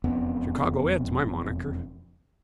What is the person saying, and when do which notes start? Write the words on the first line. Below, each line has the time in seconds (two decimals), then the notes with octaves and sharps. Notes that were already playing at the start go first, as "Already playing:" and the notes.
"Chicago Ed.'s my monaker."
0.04 E1 F2 C#3 B3